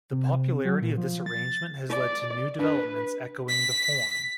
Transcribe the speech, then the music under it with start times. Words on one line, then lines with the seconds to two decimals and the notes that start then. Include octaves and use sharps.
The popularity of this arrangement has led to new developments echoing the form.
0.12 C3
0.65 F#3
0.81 A#2
0.97 F3
1.26 A6
1.90 D5
2.59 D4 B4
3.49 B6